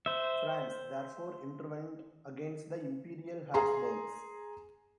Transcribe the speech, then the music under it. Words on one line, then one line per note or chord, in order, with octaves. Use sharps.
France therefore intervened against the Imperial Habsburgs.
C5 E5
G#4 A#5 C6